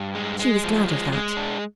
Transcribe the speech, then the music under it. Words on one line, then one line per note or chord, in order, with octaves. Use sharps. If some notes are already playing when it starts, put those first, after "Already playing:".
She was glad of that.
Already playing: G2
G#3
G#3
F3
G#3
G#3
D4